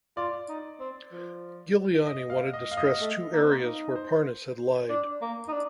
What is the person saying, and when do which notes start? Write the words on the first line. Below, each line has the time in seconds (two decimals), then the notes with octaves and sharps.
Giuliani wanted to stress two areas where Parnas had "lied".
0.17 F4 D5
0.49 D#4
0.80 C4
1.12 F3
2.06 D#5
2.30 F5
2.53 D#5
2.71 F5
2.77 D#5
3.01 A3
3.33 A#3
3.42 C4
3.52 A#3
3.63 D#4
3.96 C5
4.90 D4
5.22 A#3
5.48 D#4
5.53 D4